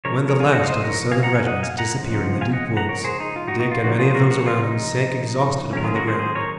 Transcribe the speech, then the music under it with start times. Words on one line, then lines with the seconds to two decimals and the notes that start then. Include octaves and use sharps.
When the last of the Southern regiments disappeared in the deep woods, Dick and many of those around him sank exhausted upon the ground.
0.05 C#3 F3 G#3 A#4 C#5
0.28 A#4 C#5
0.40 F5 G#5
0.52 D#5 F#5
0.63 F5
0.68 C5 D#5
0.83 A#4 C#5
1.12 F5 G#5
1.23 F#5 A#5
1.35 F5 G#5
1.46 D#5 F#5
1.63 F5 G#5
1.78 F#5 A#5
1.95 C#3 F3 G#3 C#4
2.41 F5 G#5
2.53 D#5 F#5
2.77 F#5 A#5
2.89 A#4 C#5
3.04 G#4 C5
3.20 D#4
3.36 F4
3.47 D#4 F#4
3.60 D#4 F#4
3.71 F4
3.83 C#3 F3 A#3 D#4 F#4
3.99 F4 G#4
4.14 F#4 A#4
4.30 F#4 A#4
4.46 F4
4.62 D#4
5.73 D#3 F#3 C#4 A#4
5.84 F4 G#4
5.96 F#4 A#4
6.07 G#4 C5
6.19 G#4 C5
6.35 A#4 C#5